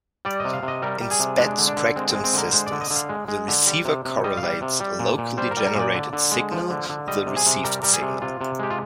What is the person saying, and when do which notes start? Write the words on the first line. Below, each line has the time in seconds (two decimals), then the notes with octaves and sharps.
In spread-spectrum systems, the receiver correlates a locally generated signal with the received signal.
0.25 G3 D5
0.40 C3 D#5
0.53 F5
0.63 C3
0.68 D#5
0.82 G3 A#4
1.01 G3
1.11 G#4
1.19 C3
1.39 G#3 D4
1.58 D3
1.67 D4
1.77 D3
1.96 G#3 C4
2.10 C4
2.15 G#3
2.24 C4
2.34 D3 A#4
2.52 G#3 C5
2.66 D5
2.72 D3
2.81 D#5
2.90 D3
2.96 F5
3.09 G#3
3.28 G#3
3.48 D3
3.67 G3
3.85 C3
4.05 C3
4.24 G3 D#5
4.37 F5
4.43 G3
4.62 C3
4.80 G3
4.99 A#2
5.18 A#2
5.37 G3 C5
5.51 A#4
5.57 G3
5.66 A#4
5.75 A#2 D5
5.94 D3
6.13 D3
6.31 G#3
6.52 F3
6.70 D3
6.90 D3
7.08 G3 D#5
7.27 C3
7.36 G#4
7.46 C3
7.64 G3 A#4
7.82 G3 A#4
7.93 G#4
8.02 C3
8.22 C3 F4
8.41 C3
8.59 G#3 G4
8.70 F4